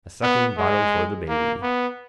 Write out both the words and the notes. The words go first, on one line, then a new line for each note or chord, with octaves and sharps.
A suckingbottle for the baby.
B3
G#3
A#3
B3